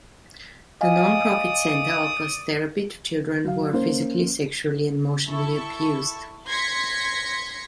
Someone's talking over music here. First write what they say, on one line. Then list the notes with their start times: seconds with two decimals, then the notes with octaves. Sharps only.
The non-profit center offers therapy to children who are physically, sexually and emotionally abused.
0.81 D5 D#5 F5 G#5 D#6
3.45 F#3 F5
3.73 A#3 C#4 C5
5.28 E4 A4 C#6
6.49 C6 G#6 A#6 B6 C#7